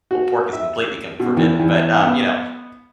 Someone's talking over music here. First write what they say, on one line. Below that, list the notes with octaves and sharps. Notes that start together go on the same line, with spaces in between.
well, pork is completely c forbidden, but, um, you know,
F#4
E5
B2
E2
E2
B3